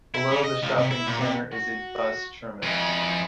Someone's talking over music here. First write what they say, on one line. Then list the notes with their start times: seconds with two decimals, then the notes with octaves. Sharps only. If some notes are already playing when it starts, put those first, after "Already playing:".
Below the shopping centre is a bus terminus.
0.14 E4
0.32 C#3
0.44 D#5
0.62 C#2
0.78 C3
0.91 E4
1.07 A#2
1.20 C3
1.52 F#4
2.63 F2 E3 G#3